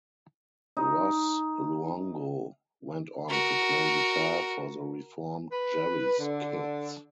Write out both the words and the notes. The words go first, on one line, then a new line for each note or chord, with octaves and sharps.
Ross Luongo went on to play guitar for the reformed Jerry's Kids.
D#4
F#4 A#4
B4
D3